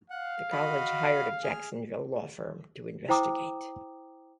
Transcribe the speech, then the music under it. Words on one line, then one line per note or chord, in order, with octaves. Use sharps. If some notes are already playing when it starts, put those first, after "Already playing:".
The college hired a Jacksonville law firm to investigate.
F5 F#5
F#4 D#5 B5
G#4 F6
E4 C5 G5 A#5 D6 D#6